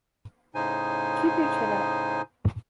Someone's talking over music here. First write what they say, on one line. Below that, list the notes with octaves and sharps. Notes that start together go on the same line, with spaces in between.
Keep your chin up.
A2 C#3 D#4 C5 G#5